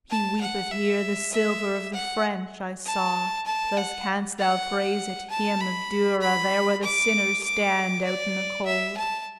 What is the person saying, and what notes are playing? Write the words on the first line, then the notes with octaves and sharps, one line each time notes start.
He weepeth here the silver of the French; 'I saw,' thus canst thou phrase it, 'him of Duera There where the sinners stand out in the cold.'
A5
F#5
E5
E5
F#5
A5
A5
F#5
F#5
A5
B5
B5
D6
D6
D5
E5
A5